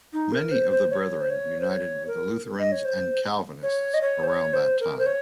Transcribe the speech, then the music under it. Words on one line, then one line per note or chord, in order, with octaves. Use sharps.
Many of the Brethren united with the Lutherans and Calvinists around that time.
D#4
A#4
C5
C5
C#5
C5
C#5
C5
C#5
A#4
D#5
C#5
C5
C#5
D#5
C#5
C5
C#5
C5
A#4
C5
C#5